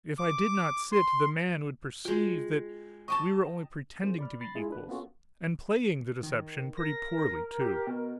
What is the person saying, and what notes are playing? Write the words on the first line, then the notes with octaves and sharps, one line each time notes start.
"If I did not sit, the man would perceive that we were only pretending to be equals--and playing the deception pretty poorly, too."
D6
C6
G#3 F4 F#4 G5
D#5 G5 A5 C#6
C4 D4 F4 G#4 A#4 C5
D5 B5 F6
B5 A6 A#6 C7
G#3 E4 F4 G#4
D4 B4
A#3 B3 C#4 F4 F#4 A4
D#3
A#4 A#6
G4
B2